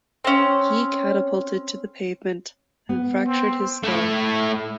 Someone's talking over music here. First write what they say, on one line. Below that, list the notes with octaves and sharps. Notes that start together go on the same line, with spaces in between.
He catapulted to the pavement and fractured his skull.
C4 C#4
B3
C4
A3 E4